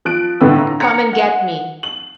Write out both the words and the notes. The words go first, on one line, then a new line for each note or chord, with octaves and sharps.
Come and get me!
F3 F#6 D7
G1 A2 D3 B4 E6
A#5
A#5 G#6 C#7
F#5
F#7